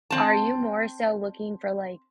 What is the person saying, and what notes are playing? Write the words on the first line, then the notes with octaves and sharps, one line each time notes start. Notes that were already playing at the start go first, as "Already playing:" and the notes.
are you more so looking for, like,
C4 A5